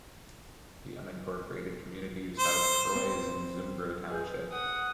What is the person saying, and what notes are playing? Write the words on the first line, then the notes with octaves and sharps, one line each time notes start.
The unincorporated community of South Troy is in Zumbro Township.
C5
C4
G#4 B4 G6
F#5 D#6